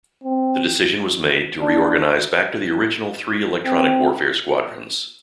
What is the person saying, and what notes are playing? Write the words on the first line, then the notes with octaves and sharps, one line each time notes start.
The decision was made to reorganize back to the original three electronic warfare squadrons.
C4
D4
C4